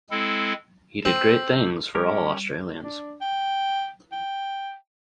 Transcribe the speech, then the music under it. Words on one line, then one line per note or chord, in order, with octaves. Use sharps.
He did great things for all Australians.
G#3 C4 E4 A4
C4 E6 G6 F#7
G3 C#4 G4 A#4
D4
G5
G5